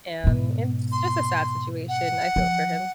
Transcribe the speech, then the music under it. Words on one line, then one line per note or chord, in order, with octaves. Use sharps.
and it's just a sad situation. I feel for him,
G#2 B2
C6
F#5
F3